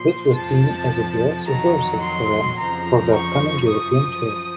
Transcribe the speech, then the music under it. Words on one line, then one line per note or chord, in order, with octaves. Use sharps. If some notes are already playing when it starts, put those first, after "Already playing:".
This was seen as a dress rehearsal for the upcoming European tour.
Already playing: A#2 F3 C6
F2 C3 F3 A5
F2 D#3 F#3 A#5
C6
F2 C#3 F3 A#5
C#6
F#2 F3 D#6